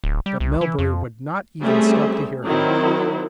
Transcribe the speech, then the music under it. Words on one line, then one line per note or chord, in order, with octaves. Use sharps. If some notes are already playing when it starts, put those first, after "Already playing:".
But Melbury would not even stop to hear him.
D1
G3
C2
E3
F2
G3 A3 C4 C#4 G#4 E5
D#3 F#3 C4 E4